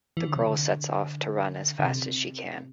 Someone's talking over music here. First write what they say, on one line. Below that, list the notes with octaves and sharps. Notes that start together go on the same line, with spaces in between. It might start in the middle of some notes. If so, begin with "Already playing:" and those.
The girl sets off to run as fast as she can.
E3
D3
C3
D3
D3
C3